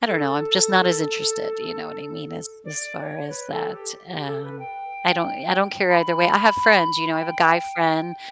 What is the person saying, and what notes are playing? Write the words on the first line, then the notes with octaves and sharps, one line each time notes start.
I don't know, I'm just not as interested, do you know what I mean, as as far as that, um, I don't I don't care either way. I have friends, you know, I have a guy friend
A4
D5
D5
C#5
B4
A4
G4
G4
A4
B4
G5
B5
G5